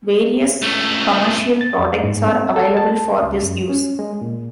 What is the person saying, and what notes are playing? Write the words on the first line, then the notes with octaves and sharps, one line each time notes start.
Various commercial products are available for this use.
C#2 A3
A6
F2
G#2
C4
A4
A5
C#2
F#2
C#4
G#3
A#2